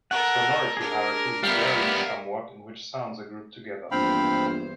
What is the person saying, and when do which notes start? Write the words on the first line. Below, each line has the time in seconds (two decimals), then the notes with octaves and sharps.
Sonority hierarchies vary somewhat in which sounds are grouped together.
0.11 A4 A#4 F#5
0.77 D4 G#4 A#4
1.43 G3 B3 E4 A#4 F5
3.91 A#1 E2 G2 C4 C5 F5 G5 B5